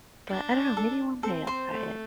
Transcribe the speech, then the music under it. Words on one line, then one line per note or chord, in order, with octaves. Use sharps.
but I don't know, maybe one day I'll try it.
D4
A4
C4 A4
C5
A3